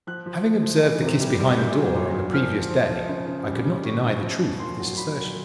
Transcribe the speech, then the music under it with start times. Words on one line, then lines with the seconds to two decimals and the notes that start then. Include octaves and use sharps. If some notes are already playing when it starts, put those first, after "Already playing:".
Having observed the kiss behind the door on the previous day, I could not deny the truth of this assertion.
0.07 F3 F#6
0.26 F3
0.45 F3
0.63 F3
0.83 E3
1.02 C3
1.21 G3
1.39 G3
1.57 A#2 G6
1.77 F#3
1.95 A#2
2.15 A#2
2.33 F3 F6
2.53 F3
2.70 F3
2.90 F3
3.08 C#3
3.27 C#3
3.46 G3
3.65 C#3
3.84 C#3 C#6
4.03 C#3
4.22 F3
4.40 F3
4.59 A#2 C6
4.78 F#3
4.97 A#2 B5
5.16 F#3